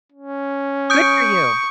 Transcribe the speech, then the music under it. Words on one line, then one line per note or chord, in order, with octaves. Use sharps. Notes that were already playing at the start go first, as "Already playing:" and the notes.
Good for you.
C#4
C#6 D#6 G6 D7